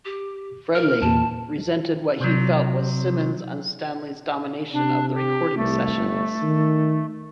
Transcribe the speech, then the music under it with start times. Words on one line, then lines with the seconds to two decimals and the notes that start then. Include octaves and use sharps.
Frehley resented what he felt was Simmons' and Stanley's domination of the recording sessions.
0.05 G4
0.75 A#4 F6
1.01 E2 A#2 A#3 A5
2.20 C3 F#3
4.74 C3 D4
5.14 G4
5.57 C2 A3
5.96 G1
6.42 D#3